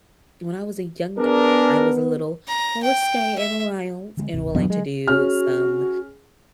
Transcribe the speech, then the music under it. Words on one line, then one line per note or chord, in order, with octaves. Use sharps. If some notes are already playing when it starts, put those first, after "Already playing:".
when I was a young gal, I was a little more risque, and wild, and willing to do some
B3 D4 G#4 A#4
A#5
G5
E5
D3 G3 G#3
D1 G1 C3
E2 G2 B2 F#3 D4
G#3
C#4 F#4 G#4 F6